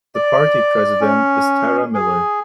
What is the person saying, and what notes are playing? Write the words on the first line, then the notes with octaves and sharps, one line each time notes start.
The party president is Tara Miller.
D5
C#4
G#4